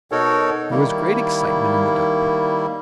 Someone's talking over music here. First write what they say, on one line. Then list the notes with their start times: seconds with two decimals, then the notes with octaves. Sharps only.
There was great excitement in the duck pen.
0.12 B2 D#4 F#4 A4 A#4 C#5
0.71 D#3 G3 A#3 E4